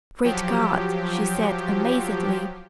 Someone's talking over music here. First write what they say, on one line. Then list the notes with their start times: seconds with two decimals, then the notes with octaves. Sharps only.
"Great God!" she said amazedly.
0.24 F3 F#3 G4